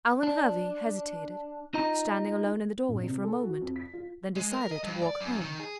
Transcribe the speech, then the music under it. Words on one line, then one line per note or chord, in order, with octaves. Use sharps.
Alvan Hervey hesitated, standing alone in the doorway for a moment; then decided to walk home.
D4
D#4 F4 D#5 A#5
A#1
C3
A4
F#4
F2
B6
F4
G#3
A#4
D#5
G2
D5
F#2
D#3
G#4